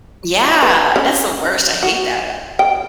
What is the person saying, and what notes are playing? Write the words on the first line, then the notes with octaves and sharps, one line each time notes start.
Yeah. That's the worst, I hate that.
B4
C#4
F#4
G5